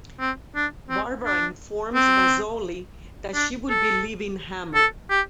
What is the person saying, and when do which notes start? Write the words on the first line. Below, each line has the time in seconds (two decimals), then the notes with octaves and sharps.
Barbara informs Mazzoli that she will be leaving Hammer.
0.20 C4
0.56 D4
0.90 C4
1.25 D4
1.95 C4
3.35 D4
3.70 A4
4.75 A4
5.10 G4